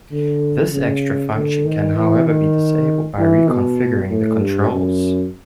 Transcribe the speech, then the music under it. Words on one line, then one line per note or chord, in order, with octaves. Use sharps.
This extra function can however be disabled by reconfiguring the controls.
D3
C#3
D3
D#3
E3
D#3
E3
B2
A2
G2
F#2